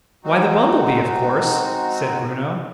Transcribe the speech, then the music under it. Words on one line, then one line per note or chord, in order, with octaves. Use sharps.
"Why the bumble-bee, of course!" said Bruno.
G#3 C4 D#4 F#4